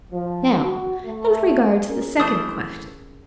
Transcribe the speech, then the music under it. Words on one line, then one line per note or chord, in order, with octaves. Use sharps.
"Now as regards the second question."
F3
F#4
A3
C#4 G#4 A#4
E3 A3 C5 D#6